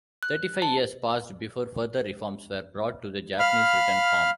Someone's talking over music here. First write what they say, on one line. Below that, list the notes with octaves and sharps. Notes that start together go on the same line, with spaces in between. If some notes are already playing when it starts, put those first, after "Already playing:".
Thirty-five years passed before further reforms were brought to the Japanese written form.
F#6
A5
F5 B5 F6